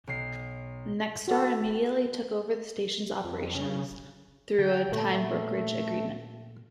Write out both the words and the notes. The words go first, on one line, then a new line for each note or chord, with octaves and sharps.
Nexstar immediately took over the stations' operations through a time brokerage agreement.
B1 C7
F#4 A4
F2
C#3
D3 G5
A#2 A3